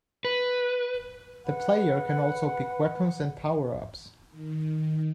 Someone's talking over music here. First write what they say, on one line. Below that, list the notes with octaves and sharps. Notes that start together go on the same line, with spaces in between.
The player can also pick weapons and power-ups.
B4
B4 F#5
D#3